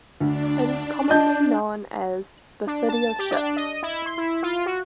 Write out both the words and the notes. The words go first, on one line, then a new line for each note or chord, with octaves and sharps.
It is commonly known as The City of Ships.
D2 D4
D#5 A5 G6
D4
A5
G4
D4
D#5
E4
C6
E4
F4
F#4